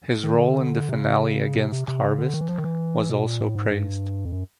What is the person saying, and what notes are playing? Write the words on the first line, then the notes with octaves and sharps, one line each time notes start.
His role in the finale against Harvest was also praised.
D#3
D3
C3
C#3
C3
C3
C3
C#3
D3
D#3
E3
F3
D#3
E3
B2
A#2
A2
G#2
G2
F2
F#2